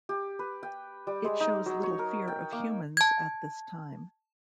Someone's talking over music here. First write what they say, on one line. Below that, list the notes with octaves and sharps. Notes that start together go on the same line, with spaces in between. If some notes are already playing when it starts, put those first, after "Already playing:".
It shows little fear of humans at this time.
G4
B4
G5
G3
G#3
D#4
F#3
C#5
A#4
G5
A#3
A5 G#6